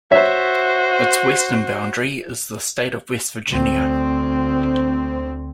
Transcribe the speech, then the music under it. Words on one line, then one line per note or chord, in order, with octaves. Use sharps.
Its western boundary is the State of West Virginia.
F#4 C5 C#5 E5
D2 C4